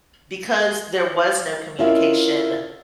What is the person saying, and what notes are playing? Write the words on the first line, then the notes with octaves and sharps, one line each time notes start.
because there was no communication
C#4 E4 F4 A#4 D#5 E5